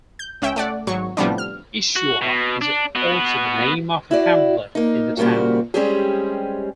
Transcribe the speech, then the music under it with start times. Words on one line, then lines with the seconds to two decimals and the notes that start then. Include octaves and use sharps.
Ischua is also the name of a hamlet in the town.
0.19 G6
0.42 C#2 C#4 E5 G5
0.56 A3 D5 F#5
0.87 G#1 F#3 C#6
1.17 A2 C3 F3 G3 B3 D4
1.38 F6
1.96 F#4
2.22 B2
2.61 D4
2.95 B3 F#4
4.11 E4 F#4 D5
4.75 A#3 D#4
5.17 A#2 C#3 G3 A#3 C4 F#4
5.74 G3 G#3 C4 C#4 G4 G#4